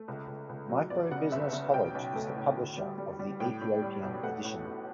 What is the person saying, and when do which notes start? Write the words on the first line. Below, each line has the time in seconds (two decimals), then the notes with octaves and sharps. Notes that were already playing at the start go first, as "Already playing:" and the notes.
Micro Business College is the publisher of the Ethiopian edition.
Already playing: A3
0.08 C#2
0.28 C#2
0.49 C#2
0.69 F#3
0.90 G1 D5
1.11 C#3 F#5
1.32 G1 E5
1.53 C#3 E5
1.74 B1 G5
1.95 B1
2.16 A3
2.36 A2
2.57 D2
2.77 G3
2.98 G3
3.19 G3
3.40 A2 G5
3.61 A2
3.82 G3
4.03 B1
4.23 A3 F#5
4.45 A2
4.65 A1